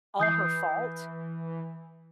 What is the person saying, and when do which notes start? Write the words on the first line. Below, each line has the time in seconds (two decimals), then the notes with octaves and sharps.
All Her Fault,
0.20 E3 D#6 G6 C7